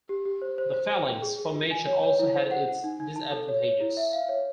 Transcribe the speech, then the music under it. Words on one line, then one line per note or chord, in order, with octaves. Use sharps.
The phalanx formation also had its disadvantages.
G4
G4
C5
C5
C5
C5
G5
G#4
G#4
F4
G#5
C#5
C#5
E4
C5
F#5
F#5
D#4
D#4
A5
A4
C#5
C#5
E4
E5
F5
C#5